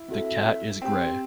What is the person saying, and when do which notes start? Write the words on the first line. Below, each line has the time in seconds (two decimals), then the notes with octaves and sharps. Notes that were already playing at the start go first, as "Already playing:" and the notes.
The cat is grey.
Already playing: E4
0.08 C4 F#4 A4 E5
0.81 C4 G4 C5 G5